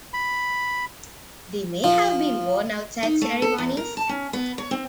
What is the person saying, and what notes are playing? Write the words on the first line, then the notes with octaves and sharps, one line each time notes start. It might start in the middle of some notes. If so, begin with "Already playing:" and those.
They may have been worn outside ceremonies.
B5
F3
D#4
A3
A4
E2
A#4
A5
C#4
B3
C#5
C4